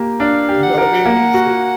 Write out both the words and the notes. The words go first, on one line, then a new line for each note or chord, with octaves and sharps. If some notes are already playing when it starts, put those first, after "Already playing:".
you know what I mean, he said
Already playing: A#3 G4
D4 F5
G4
F#5
A#4
A#3
F#4